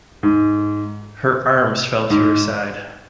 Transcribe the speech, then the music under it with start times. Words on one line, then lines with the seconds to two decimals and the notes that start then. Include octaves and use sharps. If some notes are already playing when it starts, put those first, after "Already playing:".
Her arms fell to her side.
0.23 G#2
2.10 G#2